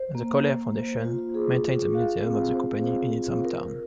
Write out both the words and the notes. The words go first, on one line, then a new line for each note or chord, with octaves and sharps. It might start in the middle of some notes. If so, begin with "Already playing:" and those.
The CallAir Foundation maintains a museum of the company in its hometown.
Already playing: C5
A#3
C5
C5
F4
G#4
F4
F5
C4
C5
C5
F4
A#4